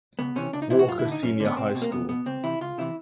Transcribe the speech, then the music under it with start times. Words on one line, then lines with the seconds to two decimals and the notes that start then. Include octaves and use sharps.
Walker Senior High School.
0.19 C#2 B3
0.36 C3 E3 C#4
0.53 C#2 D4
0.62 D#4
0.70 C3 E3 E4
0.79 F#4
0.88 F#2 F4
0.99 E4
1.05 D3
1.12 D#4
1.23 F#2 C#4
1.40 D3 B3
1.57 C2 C4
1.75 B2
1.82 A#3
1.91 C2 B3
2.09 B2 B3
2.26 C#2 C4
2.44 C3 E3 E4
2.61 C#2 F4
2.78 C3 E3 E4